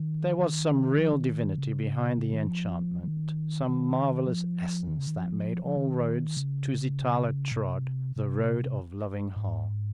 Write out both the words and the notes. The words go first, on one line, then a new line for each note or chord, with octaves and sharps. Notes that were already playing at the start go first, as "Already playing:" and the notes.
There was some real divinity behind the enchantment, some marvellous essence that made all roads Tusitala trod the Road of Loving Hearts.
Already playing: D#3
D#3
F3
D#3
C#3
C#3
D#3
F3
F3
D#3
D#3
F3
D#3
C#3
D#3
F3
F3
D#3
C#3
A#2
C3
C3
G#2